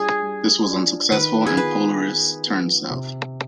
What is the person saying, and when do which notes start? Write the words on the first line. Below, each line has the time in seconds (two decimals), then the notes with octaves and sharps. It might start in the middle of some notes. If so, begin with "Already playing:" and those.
This was unsuccessful and "Polaris" turned south.
Already playing: G3 D4 F4 G#4
0.22 G3
0.68 D4 F4
1.12 D#3 B4
1.46 G#4
1.57 B3 F4 B4
2.02 D#3
2.47 B3 F4
2.91 C3